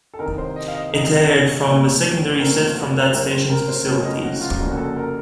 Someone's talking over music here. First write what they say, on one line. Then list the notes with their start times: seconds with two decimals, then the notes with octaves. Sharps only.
It aired from a secondary set from that station's facilities.
0.14 A4
0.19 C2 C3 D#3 A#4
0.38 C5
0.56 D#5
0.68 F5
0.74 D#5
0.93 C2 C3 D#3 D#5
1.29 C#5
1.66 A#1 A#2 A3 C4 C#5
2.40 A#1 A#2 A3 C4 A#4
2.67 F4
2.76 F#4
3.02 C5
3.12 C#2 C#3 F#3 A3 C#4 A#4
3.31 C5
3.50 A#4
3.68 C5
3.85 C#2 C#3 F#3 A3 C#4 C#5
4.04 D#5
4.23 F#4
4.36 F#4
4.41 F4
4.59 F1 F2 C#3 F3 A#3 F#4
4.71 F#4
4.77 A4
4.97 A#4